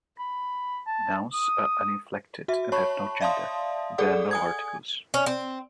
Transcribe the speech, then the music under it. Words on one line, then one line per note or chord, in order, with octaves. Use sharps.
Nouns are uninflected and have no gender; there are no articles.
B5
A5
D#6
F#4 E5
C#5 A5 B5 C#6
D5 E5 F5 A5 C6 D#6
G#4 A4 D5 F#5 D#6
G#5 D#6 G#6
C#4
C4